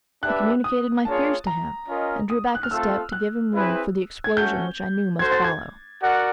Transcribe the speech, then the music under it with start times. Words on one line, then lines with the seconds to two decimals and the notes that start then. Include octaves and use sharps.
I communicated my fears to him, and drew back a step to give him room for the explosion which I knew must follow.
0.23 D4 G4 B4 E5 F#6
0.64 D#6
1.05 A#3 D4 F4 G#4 C#5 A5
1.47 A#5
1.88 C#4 F4 A#4 D#5
2.30 D#6
2.55 F#6
2.63 F6
2.71 A3 C4 F4 A4 E6
3.12 F#6
3.54 C4 E4 G#4 B4
4.24 G#6
4.36 A3 C#4 F#4 G6
5.19 F#4 A4 C5 G#6
5.32 A6
5.44 G#6
6.01 F#4 A#4 D5 F#5